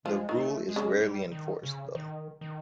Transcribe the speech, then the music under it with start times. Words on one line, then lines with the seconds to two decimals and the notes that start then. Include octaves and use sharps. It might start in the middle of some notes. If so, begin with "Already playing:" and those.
The rule is rarely enforced, though.
0.05 F3 G#3
0.29 D#3
0.37 A3
0.69 G#3
0.76 C#3
1.00 G3
1.32 D#3
1.63 C#3
1.95 D#3
2.41 D#3